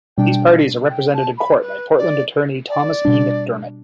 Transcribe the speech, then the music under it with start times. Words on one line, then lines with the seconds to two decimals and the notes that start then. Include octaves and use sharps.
These parties are represented in court by Portland attorney Thomas E. McDermott.
0.17 B2 G3 D4 G5
0.89 G5
1.13 A5
1.37 B5
1.61 B4
1.97 D5
2.69 D5
3.05 B2 G3 D4